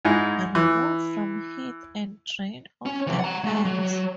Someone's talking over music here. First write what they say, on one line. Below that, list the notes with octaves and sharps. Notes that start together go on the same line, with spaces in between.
Remove from heat and drain off the fat.
G#2 G#3 D#4 E4
E3
C#4
C3 E3
F#5 A#5
G#3 A3
F#3
F#3